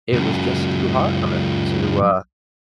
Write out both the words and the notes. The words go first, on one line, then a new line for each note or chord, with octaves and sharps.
it was just too hard on her to, uh,
C#2 F#2